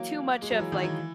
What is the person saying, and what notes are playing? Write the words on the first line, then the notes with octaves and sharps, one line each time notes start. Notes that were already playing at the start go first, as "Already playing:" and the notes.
too much of, like,
Already playing: E3 F#3 A#3
G#3
F#3
E3
D#3 F#3
E3